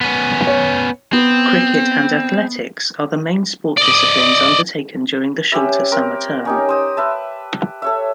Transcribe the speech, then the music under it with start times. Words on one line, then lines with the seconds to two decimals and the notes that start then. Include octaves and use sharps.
Cricket and athletics are the main sports disciplines undertaken during the shorter Summer term.
0.01 B3 C#4
0.47 C#5
1.13 B3 C4
3.78 D5 D#5
5.52 C#4 G4 B4 E5
5.92 C4 A#4
6.45 C#4 D#4 G4
6.69 C5 D#6 E6
6.97 B4 E5 A5
7.82 A4 C#5 E5